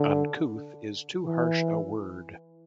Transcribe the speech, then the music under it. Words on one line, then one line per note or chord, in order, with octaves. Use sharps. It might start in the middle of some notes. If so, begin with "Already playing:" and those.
Uncouth is too harsh a word.
Already playing: D3
E3